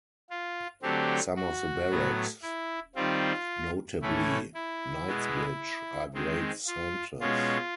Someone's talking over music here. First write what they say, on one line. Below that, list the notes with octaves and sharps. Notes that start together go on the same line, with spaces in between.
Some of the barracks, notably Knightsbridge, are great centres.
F4
D3 F#3 A3 C4 G4
F#4
A2 F#3 B3
E4
D#3 G3 C4 F4
A2 E3 A3 C#4 E4
E4
B2 G#3 B3
D#3 G#3 C4
F4
B2 G#3 C#4 F4